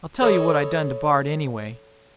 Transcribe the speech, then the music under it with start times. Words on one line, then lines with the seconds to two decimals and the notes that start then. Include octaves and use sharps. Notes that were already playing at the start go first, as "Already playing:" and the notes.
I'll tell you what I done to Bard, anyway.
0.21 A4 C#5 D#5 B5